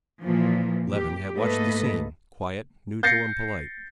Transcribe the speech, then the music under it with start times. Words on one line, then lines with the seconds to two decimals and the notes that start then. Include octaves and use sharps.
Levin had watched the scene, quiet, neutral, and polite.
0.21 A#2 E3 F3
0.91 G4
1.36 G#2 A3 A#3 A4 B4 D#5
3.03 G6 A6 A#6 C7 C#7